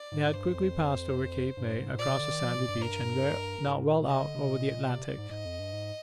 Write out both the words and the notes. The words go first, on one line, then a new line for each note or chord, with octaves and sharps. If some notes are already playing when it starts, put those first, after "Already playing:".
They had quickly passed over Cape May, across the sandy beach, and were now well out over the Atlantic.
Already playing: D5
G#2
G2 C5
F2
G2
G#2
G#2
A#2 D5
C3
D3
D#3
F3
A#2
G2
A#4
G#2
A#2
C3 D#5
D3
C3
A#2
C3 D5
G#2
G#2 D#5
F2
G2
G#2